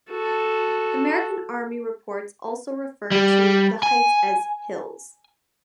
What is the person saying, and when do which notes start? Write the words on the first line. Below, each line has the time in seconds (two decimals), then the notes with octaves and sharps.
American Army reports also referred to the heights as "hills".
0.11 F#4 A4
3.11 G3
3.83 G#5